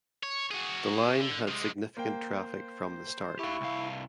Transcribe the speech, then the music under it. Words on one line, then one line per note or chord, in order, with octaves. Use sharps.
The line had significant traffic from the start.
C#5
F#4 G#4
D3
C3 G#3
A#3 C5 G5
E4 G4 F5 C#6
C2 F5